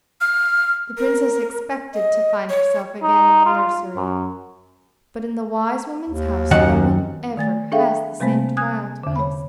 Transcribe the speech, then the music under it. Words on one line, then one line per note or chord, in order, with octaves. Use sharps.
The princess expected to find herself again in the nursery, but in the wise woman's house no one ever has the same trial twice.
F6
A#4
D#5
C#5
D#4
F4
F#2
D#2
F#2 D#3 F#5
D#3 A3 A6
D4 G#4 A4 E5 F5 G5
C3 G3 A3 A#3 C4 C5
G#5 D#6 F#6 G#6
E2 D3
C#5 B5